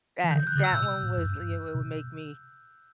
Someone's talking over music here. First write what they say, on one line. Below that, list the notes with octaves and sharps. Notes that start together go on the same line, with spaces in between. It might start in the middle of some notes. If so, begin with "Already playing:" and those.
That that one was you w would make me
E3
D3 G6
F#6
C#3
E6
A#2
B2
A#2
F#2
G2
B2